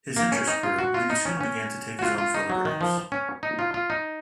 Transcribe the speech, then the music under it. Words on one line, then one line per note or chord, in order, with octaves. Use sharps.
His interest grew, and he soon began to take his own photographs.
A#3
C#4
D#4
F4
F#4
F4
D#4
C#4
C#4
F#4
F4
F4
D#4
F#3
D#3
F3
C#4
D#4
F4
F4
D#4